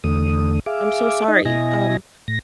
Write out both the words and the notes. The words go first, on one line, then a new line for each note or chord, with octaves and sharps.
I'm so sorry. Um
E2 D3 A3 D#6
G#4 E5 F5 D6
D#4 D#5
B2 E4 D#5 G#5 A#6
A2 A#6